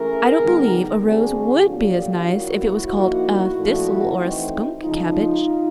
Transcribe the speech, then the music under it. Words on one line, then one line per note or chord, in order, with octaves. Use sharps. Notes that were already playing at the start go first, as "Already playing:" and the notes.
I don't believe a rose WOULD be as nice if it was called a thistle or a skunk cabbage.
Already playing: E3 A3 C#4 G#4 A#4
D3 G3 B3 D#4
D3 G3 C4 F#4 G#4
A#2 F#3 A3 D4 F4 G4
F4 G4
A#2 F#3 A#3 E4 F#4
F3 A#3 D#4
A#2 F3 A3 D4
E3 A3 C4 D#4
C#3 F3 G#3 D#4 F4